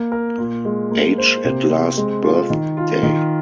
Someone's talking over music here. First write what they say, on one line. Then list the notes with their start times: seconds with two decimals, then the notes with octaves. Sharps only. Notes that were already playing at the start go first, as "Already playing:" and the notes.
Age at last birthday.
Already playing: A#3
0.12 A#4
0.38 A#2
0.65 G#3
0.92 A#3
1.18 C5
1.45 C3
1.71 C4
1.97 G#3
2.23 F4
2.50 D#3
2.77 F4
3.03 D#3